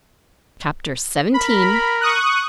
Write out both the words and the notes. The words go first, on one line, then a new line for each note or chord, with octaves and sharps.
Chapter XVII.
A#4 B5
C#6 D#6 F#6